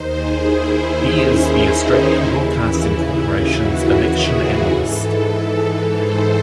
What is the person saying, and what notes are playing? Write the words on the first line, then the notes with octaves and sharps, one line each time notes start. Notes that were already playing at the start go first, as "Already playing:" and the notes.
He is the Australian Broadcasting Corporation's election analyst.
Already playing: D#2 D#3 C5
G#4
E4
C#4
D#4
D#2 C#3 E3 E4
F#4
G#4
G#2 E3 A4
C5